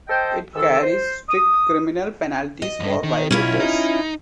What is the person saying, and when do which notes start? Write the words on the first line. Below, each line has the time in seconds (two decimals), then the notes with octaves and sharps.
It carries strict criminal penalties for violators.
0.08 A4 C5 D#5 G5
0.55 G#2 D#3 A4 E6
0.82 C5
1.29 D#6
2.62 D#5
2.80 E2 G2
3.03 D#3
3.31 B1 C#4 E4 F4
3.60 D#4